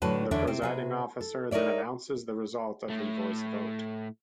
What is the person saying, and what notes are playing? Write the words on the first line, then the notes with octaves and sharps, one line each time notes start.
The presiding officer then announces the result of the voice vote.
A2 D3 F#3 B4 A5
E2 D3 C#4 D4 E5
C3 C4
C3 G#4 B4
A4
D#4 A#4 C#5 D5 E5
A2 A3